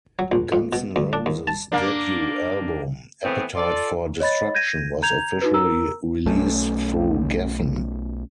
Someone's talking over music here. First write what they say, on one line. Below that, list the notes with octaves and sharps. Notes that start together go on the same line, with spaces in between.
Guns N' Roses' debut album, "Appetite for Destruction", was officially released through Geffen.
F#3
A#1
F2
B2
D2
D4
D#2
A5
A#3 D4
A2 E3 B3 C4 G#4
F4 A4 D5
C#5 D#5 B5 A6
G6 G#6 A#6 D#7
A#5 G6 G#6 F7
D#4 F#4 B4
A#4 A#5 E6
B1 A3 C#4